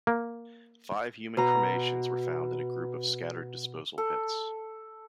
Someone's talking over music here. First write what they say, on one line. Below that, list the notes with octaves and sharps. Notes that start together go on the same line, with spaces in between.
Five human cremations were found in a group of scattered disposal pits.
A#3
B2 A#5
A4